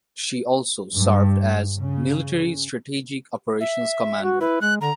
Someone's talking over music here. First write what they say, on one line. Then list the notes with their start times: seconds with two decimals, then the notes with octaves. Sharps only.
She also served as military strategic operations commander.
0.94 G2
1.78 C#3
3.60 E5
4.23 F#4
4.41 E4 B4
4.61 G#3 F#6
4.81 D3 A#5